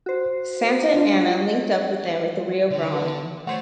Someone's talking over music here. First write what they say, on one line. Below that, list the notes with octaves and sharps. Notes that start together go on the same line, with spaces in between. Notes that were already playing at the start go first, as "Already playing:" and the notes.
Santa Anna linked up with them at the Rio Grande.
F#4 C5
D4 F4
D3
B3
A3 F#4 C5 C#5